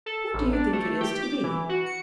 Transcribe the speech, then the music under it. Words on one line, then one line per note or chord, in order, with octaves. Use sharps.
What do you think it is to be?
A4
A1
D4
A3
G4
D6
E3
F#4
C#7